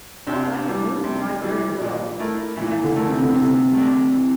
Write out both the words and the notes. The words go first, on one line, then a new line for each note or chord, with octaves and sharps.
But I have learned to ride very well, and have a secure seat now.
C3 D4
E3 G3
C3
E3 G3
A#2
A3 E4 A#4
A#2 E3
D3
A3 E4 A#4
C3
D3
C3 E3
A3 D4
E3